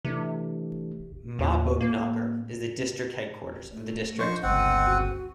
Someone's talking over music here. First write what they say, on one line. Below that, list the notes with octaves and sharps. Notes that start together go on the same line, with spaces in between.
Mahbubnagar is the district headquarters of the district.
C3 E3 A3 D4
D#2 A2
A#3
A3
F3 D4 C5 D#5 C#6
G1 C#2 C4 F#5 D#7
F#4